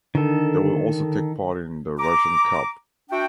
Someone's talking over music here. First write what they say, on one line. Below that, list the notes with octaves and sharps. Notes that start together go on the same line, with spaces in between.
They will also take part in the Russian Cup.
D3 D#3 A4
A#5 D6
D4 F#4 E5 G5